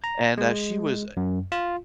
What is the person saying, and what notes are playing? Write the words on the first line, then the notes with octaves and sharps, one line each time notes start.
and, uh, she was, uh,
A#5
G#3
F#2
F4